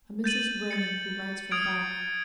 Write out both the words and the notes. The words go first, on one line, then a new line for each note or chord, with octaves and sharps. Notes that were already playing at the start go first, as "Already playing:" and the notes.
"A Mrs. Vrain, who writes from Bath."
G6 A6 D#7 F#7
A6 C#7
D#6 F6 G#6 D7